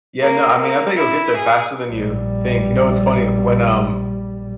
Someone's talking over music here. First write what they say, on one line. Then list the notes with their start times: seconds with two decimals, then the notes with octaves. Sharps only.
Yeah, no, I mean, I bet you'll get there faster than you think, you know, it's funny, when, um,
0.21 A#3
0.59 A#3
0.96 E4
1.36 G#4
1.90 A#1 G3